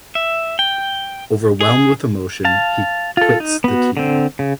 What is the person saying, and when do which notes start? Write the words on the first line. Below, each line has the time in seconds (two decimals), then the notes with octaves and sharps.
Overwhelmed with emotion, he quits the team.
0.15 E5
0.59 G5
1.61 G#4
2.45 F5 A5
3.17 F4 A4
3.40 D#4
3.64 B3 F#4
3.97 D3 C4
4.39 C#3